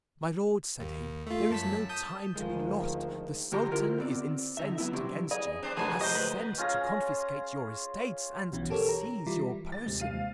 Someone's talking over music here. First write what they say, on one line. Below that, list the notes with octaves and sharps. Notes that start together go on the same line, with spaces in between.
"My lord," said he, "there is no time to be lost; the sultan is incensed against you, has sent to confiscate your estates, and to seize your person."
D#2
A3 F4
F#2 A5 B6
A5 D#6 G6
D2 D#3 F3 G#3
G2 D3 F#4 G4 A#5 C6
D3 E4 F4 A#4 C5
B3 C4 D5
D3 D#4 E5
F#3 B3 E4
C3 F#3 G3 C4 D4 E4
G#4 D#5
C4 D4 C5
F1 F3 A3 A#3 G#4 G#5 A5 E7
C5 D#5
D2 B4
C#4 F4 G#4 A#5
B1 B2 E3 C#4
G4 A4 A#4 C#5
A#5
E3 G3 E4 F4
A6
D#2 C3 G#3
F5 D#7